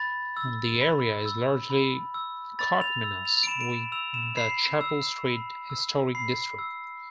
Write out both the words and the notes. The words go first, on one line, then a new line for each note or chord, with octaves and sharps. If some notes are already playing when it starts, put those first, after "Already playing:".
The area is largely coterminous with the Chapel Street Historic District.
Already playing: B5 A6
E6
B5
E6
B5
E6
B5 A6
F7
E6
F7
D7
B5 E7
D7
E7
E6 F7
E7
B5 C7
E6
B5
E6
B5 C7
E6